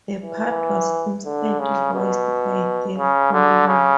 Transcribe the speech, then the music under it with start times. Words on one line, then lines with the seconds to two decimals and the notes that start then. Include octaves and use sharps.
The part was instead voiced by Dave Coulier.
0.21 E3
1.25 D3
1.59 C#3
1.94 B2
2.98 C#3
3.33 D3
3.67 C#3